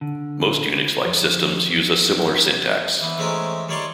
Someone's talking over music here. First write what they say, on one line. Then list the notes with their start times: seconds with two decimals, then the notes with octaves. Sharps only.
Most Unix-like systems use a similar syntax.
0.01 D3
1.06 F2
3.01 E3 B3
3.18 E3 G#3 A3 C4 C#4 A#4
3.69 D#3 G3 C#5 D5 C6 C#6